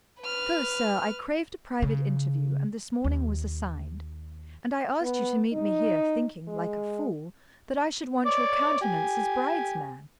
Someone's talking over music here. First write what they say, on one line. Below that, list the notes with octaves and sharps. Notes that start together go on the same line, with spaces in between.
So, sir, I craved a private interview, and this morning was assigned; and I asked you to meet me here, thinking, like a fool, that I should want your countenance as bride's-man.
B4 F6
C#3
D#2
B3
D#4
G#3
C#5 D5 D6
G4 G#5